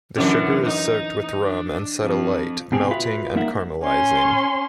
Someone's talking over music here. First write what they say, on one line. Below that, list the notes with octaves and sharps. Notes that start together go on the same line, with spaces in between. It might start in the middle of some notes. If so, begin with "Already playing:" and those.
The sugar is soaked with rum and set alight, melting and caramelizing.
F#2 D3 E3
D#4
D4
F2
B2 D3 C4 G4 G#4
F4 F#4 B4 E5 F5
G3 A#3 D#4 A#4 E5 F#5
C#4 C6